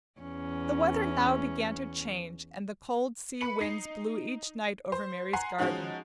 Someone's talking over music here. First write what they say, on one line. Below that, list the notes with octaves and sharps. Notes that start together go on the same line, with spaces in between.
The weather now began to change, and the cold sea winds blew each night over Mary's garden.
E2 C#4
B4 B5 C#7 F#7
D#4 C7
C5
F#5 G#5 A#5 C6 C7
F3 G#3 C#4 D#4 F#4